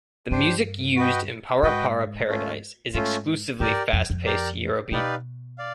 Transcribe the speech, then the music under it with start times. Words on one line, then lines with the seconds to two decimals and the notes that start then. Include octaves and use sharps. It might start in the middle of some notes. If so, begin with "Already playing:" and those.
The music used in Para Para Paradise is exclusively fast-paced Eurobeat.
0.31 G2 D4 G4 C5
0.96 F#4 B4 D#5 G5
1.62 G#2 F#4 B4 D#5 G5
2.28 A3 C#4 F4
2.94 G#2 A3 C#4 F4
3.60 G2 G4 A#4 D5
3.93 F2
4.10 F2
4.26 G4 A#4 D5
4.91 B2 D#4 G4 B4 D5 F5
5.58 D5 F5